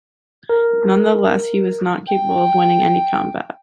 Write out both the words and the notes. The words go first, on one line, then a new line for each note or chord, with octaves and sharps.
Nonetheless, he was not capable of winning any combat.
A#4
G5